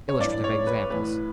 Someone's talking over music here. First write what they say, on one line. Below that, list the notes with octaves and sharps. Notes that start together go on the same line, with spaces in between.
Illustrative examples.
C#5
G2 E3 D5
C#5
B4
A2 E3 B4